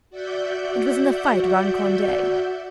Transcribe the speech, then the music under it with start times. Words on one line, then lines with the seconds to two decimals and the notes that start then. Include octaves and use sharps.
It was in the fight round Conde.
0.10 F#4 D5 E5 F#5 G6